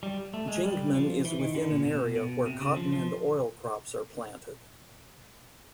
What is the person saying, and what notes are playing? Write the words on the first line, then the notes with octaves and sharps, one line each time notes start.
Jingmen is within an area where cotton and oil crops are planted.
G3
A3
G#3
G3
F3
E3
D#3
D3
A#2
B2
B2
C3
C#3
F3
F3